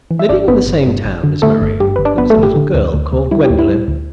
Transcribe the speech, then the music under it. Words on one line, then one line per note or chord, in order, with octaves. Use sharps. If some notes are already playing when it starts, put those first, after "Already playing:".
Living in the same town as Marian there was a little girl called Gwendolen.
E3
E5
G1 D4 D5
G1 B3 B4
G1
G2
G1
D3
D3 A3 A4
G1
G2 G4
G1 B4
D4 D5
G1 B3 B4
A3 A4
G1
G4
D3
D2
D2
D2
G3 E4
G4
D2
E4
G3
D2